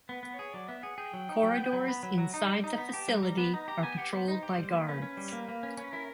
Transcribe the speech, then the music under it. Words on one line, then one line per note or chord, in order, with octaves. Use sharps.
Corridors inside the facility are patrolled by guards.
B3 B4
B3
C#5
G#4
F#3 D5
B3 E5
G#4 F#5
G#4 G5
F#3
D#4
F#3
B3
F#3 B5
B3 B5
F#3 B5
F#3 A#5
D#4 A#5
G3
D#4 A#5
B3
G4 A5
G3 A#5
G3 A#5
B3 B5
D#4 A#5
G4 A#5
B3 G#5
G4 F#5
B3 C5
D#4
G4
G3
A#3 B4
C#4
C#4
G3
A#3
A#3
C#4
C#4
E4 A#4